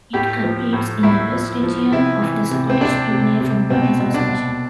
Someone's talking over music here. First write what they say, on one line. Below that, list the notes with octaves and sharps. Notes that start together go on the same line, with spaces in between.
It competes in the West Region of the Scottish Junior Football Association.
A2 G4
F3
A2
A2 E4
F3
F3
C3 E4
E3
C3
C4
C3 D4
C3
C3
B2 C4
B2
D4
B2